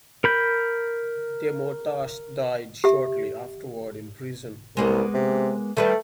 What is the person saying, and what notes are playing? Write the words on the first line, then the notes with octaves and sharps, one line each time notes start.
Teymourtash died shortly afterward in prison.
A#4 B5 G6
G4 E5
C2 G#3 A#3 B3
C3
D#3 G3 A3 B4